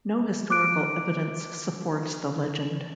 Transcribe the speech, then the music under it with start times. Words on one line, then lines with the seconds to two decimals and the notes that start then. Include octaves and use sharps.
No historical evidence supports the legend.
0.50 D6 F#6 D7